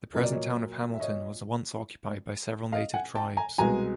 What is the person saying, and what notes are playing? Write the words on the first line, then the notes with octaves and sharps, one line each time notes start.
The present Town of Hamilton was once occupied by several native tribes.
A#2 F#3 A#3 D#5
D5
C#5 D#5
E5
C#5 D#5
D#5 F5
F#5 G#5
G5 A5
G#5 A#5
C2 B2 G#3 B3 G#5 A#5